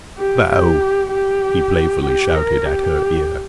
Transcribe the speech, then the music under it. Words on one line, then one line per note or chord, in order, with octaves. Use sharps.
"Boh!" he playfully shouted at her ear.
G4
G4
G4
G4
A#4
G4